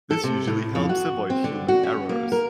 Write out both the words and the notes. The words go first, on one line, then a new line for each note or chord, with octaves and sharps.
This usually helps avoid human errors.
A4
C3
A2
F2
F#4
C4
D3
F#4
C#4
A#3
A#4